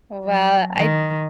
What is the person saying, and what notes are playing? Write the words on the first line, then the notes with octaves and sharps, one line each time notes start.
Well, I
F#3
D#3